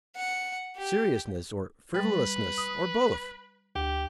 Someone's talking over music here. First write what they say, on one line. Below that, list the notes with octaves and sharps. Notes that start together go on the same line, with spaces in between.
Seriousness or frivolousness or both.
F#5
G4
G3 B4 G5 A6
D#6
D2 G4